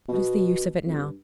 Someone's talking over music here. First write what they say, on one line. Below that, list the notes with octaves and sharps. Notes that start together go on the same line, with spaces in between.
What is the use of it now?
B2
F2
G2